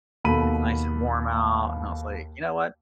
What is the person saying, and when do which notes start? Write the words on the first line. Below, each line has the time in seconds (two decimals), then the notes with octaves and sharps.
it's nice and warm out, and I was like, "you know what,
0.24 D#2 B2 A4 B5 D#7